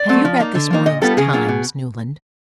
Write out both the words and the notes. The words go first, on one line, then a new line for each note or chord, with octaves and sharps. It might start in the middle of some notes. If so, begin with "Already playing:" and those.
"Have you read this morning's Times, Newland?"
Already playing: D5
F#3 A3 C4
F3
A#3 D#4
D3
F3 A#3 D#4
A#2 D#5
G3 B3 D4 F4 A4
C#3 G#4
F#3 A#3 D4 F4
B2